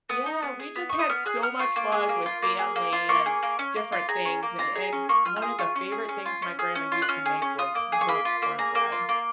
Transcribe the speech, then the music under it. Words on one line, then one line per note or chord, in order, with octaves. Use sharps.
Yeah, we just had so much fun with family and different things, a and one of the favorite things my grandma used to make was her cornbread,
B3 D#6
D#4
B3
G#4
B3
D#4 C#6
D#6
B3 F6
G#4 F#6
B3 F6
F4 C#6
A#3
G#4
A#3
F4
A#3
G#4
A#3
F4
A#3 C#6
G#4
A#3
C#4
A#3
F4
G#4 A#5
C#4
A#3
F4 A#5
G#4
C#4
A#3 C#6
F4 F6
F6
G#4 D#6
F4 C#6
C#4
G#4
C#4
F4
C#4
G#4 F6
C#4
F4
F#6
C#4 F6
G#4
C#4
F4 D#6
A#3
G#4
C#6
A#3 B5
F4
A#3
G#4 A#5
A#3
F4
A#3